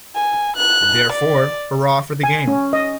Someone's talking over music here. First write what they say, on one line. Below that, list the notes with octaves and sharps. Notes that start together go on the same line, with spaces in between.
Therefore, hurrah for the game.
G#5
F#6
D5
G#5
C#4
D#5